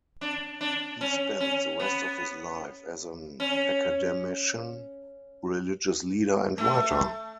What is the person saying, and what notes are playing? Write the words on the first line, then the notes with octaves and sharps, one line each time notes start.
He spent the rest of his life as an academician, religious leader and writer.
D4
D4
C#4
C#4
B3
C#4
A3